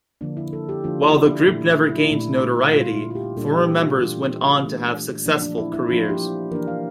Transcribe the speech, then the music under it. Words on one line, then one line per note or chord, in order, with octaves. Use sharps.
While the group never gained notoriety, former members went on to have successful careers.
D3 F3 A#3 D4
E4
A4
G4
D3 F3 A#3 D4 F4
E4
D4
A#2 A3 D4 E4
E4
E4
D4
E4
A#2 A3 D4
A#2 G3 A#3 D4 F4
E4
F4
G4
A#2 G3 A#3 D4 A4
G4
F4
E3 A3 D4 F4
E3 A3 D4
F3 A#3 D4
D4
E4
E4
F3 A#3 D4 F4
G4
E3 A#3 D4 A#4
F5